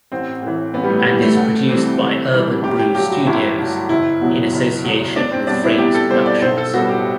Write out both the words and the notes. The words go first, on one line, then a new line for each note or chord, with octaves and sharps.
And is produced by Urban Brew Studios in association with Frames Productions.
A1 C4
A2 E3
A1 B3
G3
A3
A2 E3 G3
A3
D2
C3 E3 G3 C4
D2
C3 E3 G3 C4
G1 G4
G4
G2 F#3 G4
F#4
G1 E4
G2 F#3
F#1 E4
E2 B2 F#3
F#1
E2 B2 F#3
E2 D4
C4
B2 G3 D4
E4
E2 G4
A4
B2 G3 C5
D5
B1 C5
A4
A2 G3 B3 F#4
G4